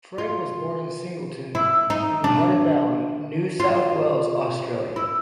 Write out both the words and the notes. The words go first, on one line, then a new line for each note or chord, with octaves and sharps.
Frank was born in Singleton, in the Hunter Valley, New South Wales, Australia.
F4
E4
D#4
D4
F4
E4